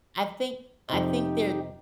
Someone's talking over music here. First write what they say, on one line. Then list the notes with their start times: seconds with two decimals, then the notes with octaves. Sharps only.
I think I think they're
0.90 F2 C3 D#4 G4